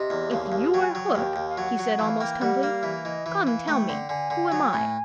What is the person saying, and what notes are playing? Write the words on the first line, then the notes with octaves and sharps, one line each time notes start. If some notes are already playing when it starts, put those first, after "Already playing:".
"If you are Hook," he said almost humbly, "come tell me, who am I?"
Already playing: C3 D#5
E2
D#2 F5
D#2
F#3 G5
G#5
F#3 G5
F#5
D#2 G5
D#2
F5
F#3 F#5
F#3
E3 F5
A#3 G5
G3 F#5
A#3 F5
E3 E5
E3 D#5
E3 E5
E3 F5
A3 G5
D3
D3 G#5
D3
F#3
A2